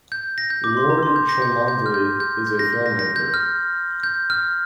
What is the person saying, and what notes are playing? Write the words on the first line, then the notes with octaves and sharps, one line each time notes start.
Lord Cholmondeley is a filmmaker.
G6
A#6
G6
D6
C6
A#5
C6
G6
A#6
G6
G6
F6
G6
G6
G6
A#6
G6
A#6
A#6
G6
F6
G6
F6